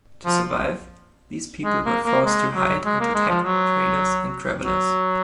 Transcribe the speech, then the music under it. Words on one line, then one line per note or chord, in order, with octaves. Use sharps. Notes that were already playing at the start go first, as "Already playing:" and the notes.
To survive, these people were forced to hide and attacked traders and travelers.
F3
G#3
A#3
A#3
G#3
F#3
G#3
A#3
G#3
F3
F#3
F#3